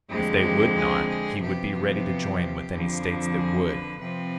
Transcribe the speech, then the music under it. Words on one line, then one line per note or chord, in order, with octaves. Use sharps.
If they would not, he would be ready to join with any States that would.
F2 D3 G#3 C4 G4
G4
G#4
G#4
C3 F3 B3 G4
G4
F2 D3 F3
G#4
B4
C3 F3 C4 B4